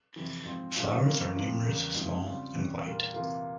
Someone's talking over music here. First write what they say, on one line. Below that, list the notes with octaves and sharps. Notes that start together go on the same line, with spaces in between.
Flowers are numerous, small, and white.
F2 C3 E3
G#2 F3 C4
A#2 F3 G#3 C#4
C3 E3 A#3 C#4
F2 C3 F3
E2 C#3 G3 A#3
G#2 F3 C4 E4
C#3 G3 C4 F4
E2 C3 E3 G3 C#4
A#2 G3 A#3 F4
C3 E3 A#3 F4